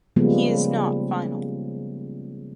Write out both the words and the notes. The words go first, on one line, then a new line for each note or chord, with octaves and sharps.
He is not final.
C#3 F3 G3 G#3 A#3 B3